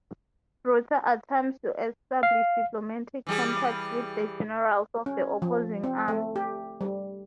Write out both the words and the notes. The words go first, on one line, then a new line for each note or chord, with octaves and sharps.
Brutha attempts to establish diplomatic contact with the generals of the opposing army.
F5
E3 G3 G#4
C#4
F3
C4
A3
G4
G3